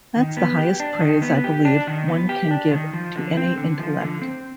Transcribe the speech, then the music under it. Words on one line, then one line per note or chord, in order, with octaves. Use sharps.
That's the highest praise, I believe, one can give to any intellect.
D#3
B3
G4
D4
D#3
B3
G4
D4
D#3
B3
G4
D4
D#3
F3
D3
C4
D3
F3
D3
C4